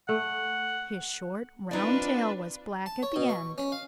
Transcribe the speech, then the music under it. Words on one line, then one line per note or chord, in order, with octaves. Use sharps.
His short, round tail was black at the end.
A3 F#5
C4 D4 D#4 F4 B4 D5
A5
C#5
B2
C#6
C#4
F5